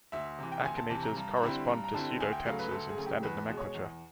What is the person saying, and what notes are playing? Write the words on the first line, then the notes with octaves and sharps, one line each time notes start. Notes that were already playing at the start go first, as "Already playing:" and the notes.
Akinetors correspond to pseudotensors in standard nomenclature.
D2 E5
C3 E3
G5
D2 G#5
A5
C3 E3 A5
A#5
G2 A#5
A#5
D3 G3 C4 E4 B5
G2 A#5
A#5
D3 G3 C4 E4 A5
D2 G#5
G5
C#3 F#3 A3 F5
B4
D2 A4
G#4
C#3 F#3 A3
G4
E2 B4
B2 G#3
C#5
E2